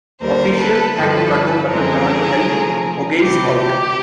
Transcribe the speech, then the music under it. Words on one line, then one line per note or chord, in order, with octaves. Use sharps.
Officials had to cut open the car to help Ongais out.
D#2 D3 G3 A#4 C5
A4 B4
G2 D3 F3 A4 B4
F#2 D3 F3 G#3 C4 G#4 A#4
C3 F3 A3
D2 C3 E3 A3 G4
G4